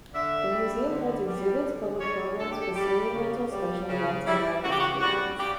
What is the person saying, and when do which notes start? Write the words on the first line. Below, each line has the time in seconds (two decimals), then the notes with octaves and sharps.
The museum holds exhibits, public programs, facility rentals, special events, and live demonstrations.
0.14 D3 E5
0.50 G3
0.88 D3
1.25 G3
1.63 D3
2.00 G3 C#5
2.39 D3 A4
2.50 G4
2.62 A4
2.76 G3 G4
3.13 C#3
3.51 G3
3.88 C#3
4.27 G3 E4
4.64 C#3 F#4
4.71 G4
4.78 F#4
5.00 G3 F#4
5.39 C#3 G4